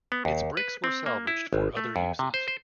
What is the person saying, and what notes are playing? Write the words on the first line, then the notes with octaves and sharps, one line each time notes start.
Its bricks were salvaged for other uses.
B3
D#2
B4
C4
A#3
E4
G#1
A3
F2
C3
C5
C5